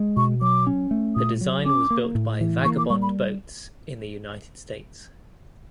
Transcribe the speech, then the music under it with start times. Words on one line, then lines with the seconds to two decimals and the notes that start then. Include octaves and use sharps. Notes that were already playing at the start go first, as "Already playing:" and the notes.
The design was built by Vagabond Boats in the United States.
Already playing: G#3
0.17 B2 C#6
0.41 F#3 D6
0.67 C#4
0.91 A3
1.16 A#2 D#6
1.41 F#3
1.66 C#4 D6
1.90 A#3
2.15 A2
2.41 E3
2.65 A#3 C#6
2.78 D6
2.90 G3 C#6
3.02 B5